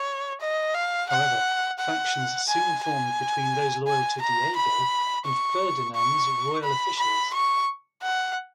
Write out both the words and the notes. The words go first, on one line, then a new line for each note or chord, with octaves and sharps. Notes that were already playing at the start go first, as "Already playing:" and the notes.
However, factions soon formed between those loyal to Diego and Ferdinand's royal officials.
Already playing: C#5
D#5
F5
F#5
F#5
G#5
G#5
G#5
A#5
B5
C#6
C#6
B5
B5
C#6
F#5